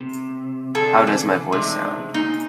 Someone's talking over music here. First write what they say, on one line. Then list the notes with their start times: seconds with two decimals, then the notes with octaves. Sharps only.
How does my voice sound?
0.01 C3
0.75 C3 D4 G#4 A4
1.07 E3
1.52 C3 G#3 D4 D#4
2.14 A#3 D#4 D#5 G#5